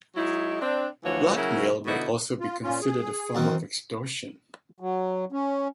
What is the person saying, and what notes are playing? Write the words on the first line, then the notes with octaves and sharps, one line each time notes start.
Blackmail may also be considered a form of extortion.
F#3 G#3 D#4 E4
C4 D4
D2 E3 F3 F#4 C#5
C#3 F#3 E4 F#4 A#4
B2 D3 D#4 E4 F#4
F4
A#2 C#4 F4
G#4
F#2 D#3 E3 C4
F#3
C#4